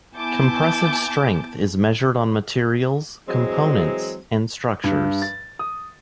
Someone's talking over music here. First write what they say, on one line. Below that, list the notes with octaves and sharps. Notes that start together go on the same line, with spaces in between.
Compressive strength is measured on materials, components, and structures.
B3 E4 G#5 A5 D6 G6
E3 F#3 G#3 C4
G2
A6
D#6